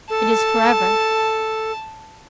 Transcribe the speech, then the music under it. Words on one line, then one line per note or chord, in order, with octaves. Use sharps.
It is for ever.
A4 A5